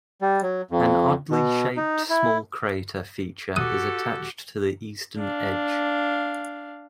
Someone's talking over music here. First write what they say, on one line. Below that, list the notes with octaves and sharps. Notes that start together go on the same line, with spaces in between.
An oddly shaped small crater feature is attached to the eastern edge.
G3
F#3
F2
B2
D#4
E4
F#4 G4 A4 D6 D#6 F#6
D4 F5